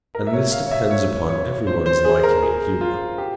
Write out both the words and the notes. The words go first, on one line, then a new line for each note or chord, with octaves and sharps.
And this depends upon every one's liking and humour.
A#4
E5
C#5
F5
C#5
E5
C#5
C#5
C5
C5
G#4
A#4
G#4
F4
G4